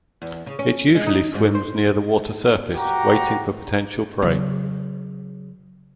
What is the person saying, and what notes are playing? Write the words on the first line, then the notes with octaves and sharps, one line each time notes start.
It usually swims near the water surface waiting for potential prey.
E2
C#3
C#4
G#3
D#4
G#2
C5
F#4 G4 A#5
C#3 F#3